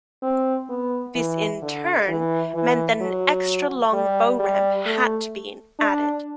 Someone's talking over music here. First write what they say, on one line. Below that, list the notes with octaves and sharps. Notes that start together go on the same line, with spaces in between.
This in turn meant that an extra long bow ramp had to be added.
C4
B3
E3
D3
E3
E3
F#3
G3
G3
A3
D4